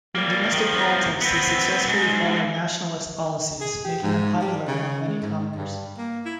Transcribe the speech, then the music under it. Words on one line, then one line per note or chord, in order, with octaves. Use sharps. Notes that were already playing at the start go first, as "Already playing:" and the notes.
In domestic politics he successfully followed nationalist policies, making him popular among many commoners.
G3 A#3
D#3 F3
E2 F3
B3 C4
G#2
G#4
G4
G#2
G3
C#3
G#3
G#2
G2
A#3
E4